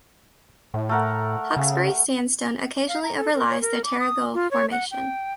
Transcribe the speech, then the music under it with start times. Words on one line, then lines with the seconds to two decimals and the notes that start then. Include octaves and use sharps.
Hawkesbury Sandstone occasionally overlies the Terrigal Formation.
0.74 A2
0.89 A3 A#4 F#5
1.57 C#3
2.88 F5
3.03 A#5
3.16 A4
3.35 A#4
3.49 C#5
3.61 A#4
3.84 D6
4.00 D#6
4.34 F4
4.51 C#5
4.72 F#5
4.91 G5